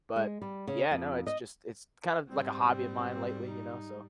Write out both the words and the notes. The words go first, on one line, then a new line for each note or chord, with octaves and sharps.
but yeah, no, it's just, it's kind of like a hobby of mine lately, you know, so
G#3
G3
C#3
F2
D#5
G#2 G3 C4
D#4